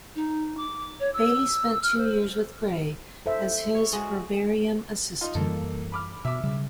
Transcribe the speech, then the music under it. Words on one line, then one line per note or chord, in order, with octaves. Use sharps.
Bailey spent two years with Gray as his herbarium assistant.
D#4
D6
C#5
E6
F6
C5
A4 C5 E5
C#5
G#3 F#4
D#4 F4
F#2 E3 G3 A#3 A4
B5 D6 F6
B2 E5 D6
C#3 G3